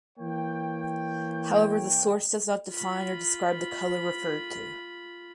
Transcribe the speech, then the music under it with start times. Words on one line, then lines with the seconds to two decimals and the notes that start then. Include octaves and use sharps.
However the source does not define or describe the color referred to.
0.19 E3 A#3 C#5 G5
2.71 F4 B5